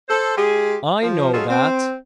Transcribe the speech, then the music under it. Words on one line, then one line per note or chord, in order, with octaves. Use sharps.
"I know that."
A4 C5
G#3 F4 G4 G#4
F3
F#3 C#4 D#4 F4 G#4 A4
C4